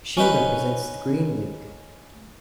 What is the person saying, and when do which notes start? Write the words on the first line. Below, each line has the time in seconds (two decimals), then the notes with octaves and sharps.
She represents the Green League.
0.17 C#4 D#4 B4